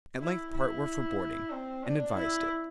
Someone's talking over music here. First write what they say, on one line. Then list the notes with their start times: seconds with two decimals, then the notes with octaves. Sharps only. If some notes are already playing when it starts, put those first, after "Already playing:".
At length part were for boarding, and advised it.
0.20 E4
0.52 E4
1.51 C4
1.83 D4
2.16 E4